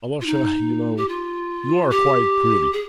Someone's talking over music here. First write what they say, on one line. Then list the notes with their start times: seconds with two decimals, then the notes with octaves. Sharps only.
Alyosha, you know, you are quite pretty!
0.21 F4
0.26 D#4
0.97 G4
1.08 F4
1.90 G4
2.73 G#4